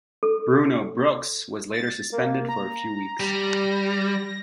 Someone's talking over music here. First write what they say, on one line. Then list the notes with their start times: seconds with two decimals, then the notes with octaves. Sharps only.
Bruno Brookes was later suspended for a few weeks.
0.23 A4
1.73 A6
2.12 A#3
2.49 A#5
3.20 G3 A#6